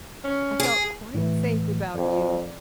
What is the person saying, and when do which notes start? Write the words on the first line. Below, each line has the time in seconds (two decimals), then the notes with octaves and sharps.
I felt quite safe about you.
0.24 C#4
0.60 G#4
1.14 A2 E3 A3
1.95 F2 D5